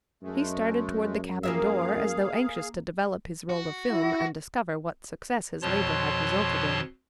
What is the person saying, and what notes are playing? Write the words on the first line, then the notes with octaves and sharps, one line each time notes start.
He started toward the cabin door as though anxious to develop his roll of film and discover what success his labor had resulted in.
F#2 G#3 A3
A#3 G#4 A#4 E5 F5
F#4
E4
F2 B2 F3 C#5 A5 C6